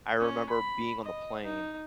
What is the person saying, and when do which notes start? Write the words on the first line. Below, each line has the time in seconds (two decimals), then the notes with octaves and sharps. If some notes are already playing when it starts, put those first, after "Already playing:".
I remember being on the plane,
0.20 C#4
0.50 B5
1.03 D#5
1.44 D#4